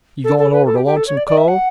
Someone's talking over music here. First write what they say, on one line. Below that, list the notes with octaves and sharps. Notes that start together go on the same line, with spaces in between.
"You goin' over to Lonesome Cove?"
A4
A4
B4
A4
G4
G4
A4
C#5
D5
D5
E5
F#5